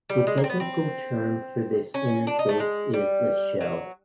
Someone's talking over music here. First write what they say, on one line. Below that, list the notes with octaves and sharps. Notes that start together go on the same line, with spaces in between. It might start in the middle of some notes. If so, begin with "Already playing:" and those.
The technical term for this interface is a "shell".
G3
G#3
A#3
C4
B3
C4
C#4
D4
D#4
A3
G#3
G3
F#3